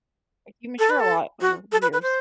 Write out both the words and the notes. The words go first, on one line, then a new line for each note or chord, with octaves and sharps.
Like, you mature a lot over years.
A4
B4
A4
F#4
A4
B4
B4
C5